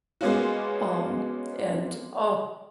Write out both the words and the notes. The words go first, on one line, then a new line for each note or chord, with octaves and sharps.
um, and, oh
G#3 A#3 B3 C#4 F4 F#4